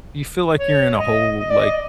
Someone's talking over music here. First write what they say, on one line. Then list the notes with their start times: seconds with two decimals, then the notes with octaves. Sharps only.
You feel like you're in a whole, like,
0.58 C#5
0.99 D#5
1.39 D#5
1.50 D5
1.59 D#5